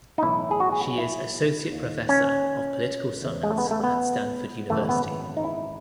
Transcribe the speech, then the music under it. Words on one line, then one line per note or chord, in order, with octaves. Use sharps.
She is Associate Professor of Political Science at Stanford University.
D#4
B1 A2 E3 E4
G#4
F#4
G#4
E4
D#2 D#3
C#4
E2 C#3 E3
G#3
A3
B3
A3
B3
G#1 F#2 C#3 E3 A3
B3
D#4
E4